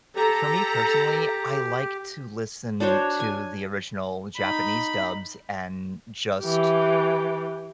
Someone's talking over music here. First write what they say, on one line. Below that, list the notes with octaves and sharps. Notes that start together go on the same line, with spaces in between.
for me, personally, I like to listen to the original Japanese dubs and just
G4 A4 A#5
D4 F#4 C5 C#5
G#5
D#4 B5
E3 G4